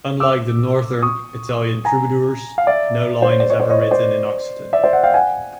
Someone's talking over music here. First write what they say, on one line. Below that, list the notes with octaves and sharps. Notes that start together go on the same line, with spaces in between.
Unlike the Northern Italian troubadours, no line is ever written in Occitan.
D6 E6
C#6 D#6
G#5 A#5
F5
D5 E5
C5
C#5
D5
C#5 D#5
C5 D5
C#5 D#5
C#5
C5 D5
D5 E5
C5 D5
E5 F#5
F5 G5
F#5 G#5